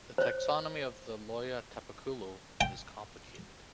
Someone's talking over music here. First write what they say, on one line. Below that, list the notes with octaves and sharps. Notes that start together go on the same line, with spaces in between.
The taxonomy of the Loja tapaculo is complicated.
C5 C#5
G5